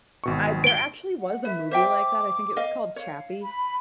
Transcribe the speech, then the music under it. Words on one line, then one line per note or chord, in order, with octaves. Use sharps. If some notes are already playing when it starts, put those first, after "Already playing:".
I there actually was a movie like that, I think it was called Chappie,
G#1 B2 C#6
D7 G7
F#5
B4 E5
C5 E5 G5 D6
D#5 F5
C#5 F5
B5